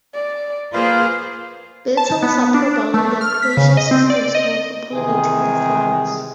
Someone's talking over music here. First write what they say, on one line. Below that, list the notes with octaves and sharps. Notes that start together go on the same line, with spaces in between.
Beetles are probably the creatures responsible for pollinating the flowers.
D5
A#3 F4 G#4 B4 C5
A5
B3
D4
A3
F6
B6
C#3
D#5
C4
D5
D#5
C3 D#3 E3 G#4